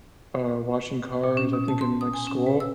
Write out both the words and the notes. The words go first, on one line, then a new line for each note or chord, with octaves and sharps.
uh, watching Cars, I think in, like, school.
A#2
C#4
B2
A5
C6
D#6
G#5
C#4
B4
E6